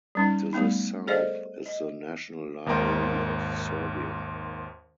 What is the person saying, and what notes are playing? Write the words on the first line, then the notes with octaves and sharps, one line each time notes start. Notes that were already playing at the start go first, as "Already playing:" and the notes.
To the south is the National Library of Serbia.
G3 C#4 D#4
G3 A3 B3 D#4
G#4 A4 C5 D5 D#5 F5
D#5
G#1 D#2 G#2 A#4 G5